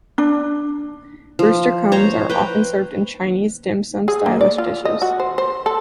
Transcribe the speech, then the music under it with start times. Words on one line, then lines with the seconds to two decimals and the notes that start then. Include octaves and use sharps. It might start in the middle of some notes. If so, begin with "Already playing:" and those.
Rooster combs are often served in Chinese dim sum style dishes.
0.18 D4
1.39 F3
1.92 C5 C#5 A#5
2.30 B4 G5 A#5
4.08 G#4
4.26 A#3
4.41 D5
4.58 F4
4.85 D#5
5.02 F#4
5.20 C5
5.38 C5
5.66 A4